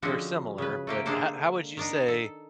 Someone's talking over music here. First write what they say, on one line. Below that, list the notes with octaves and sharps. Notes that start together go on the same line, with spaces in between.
They're similar, but ho how would you say
D3 F3 G#3 C4 C#4 F#4
C#3 B4
A3 A#3 G4
D3 G#3 A#3 D4 A4 C5
D#3 D4 D#4
A4